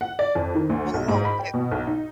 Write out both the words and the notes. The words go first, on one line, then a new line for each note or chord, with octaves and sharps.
Well, no, it
F#5
D5
F2
D#3
D2
B1
G#2
B5
G5
B2
B1
D#4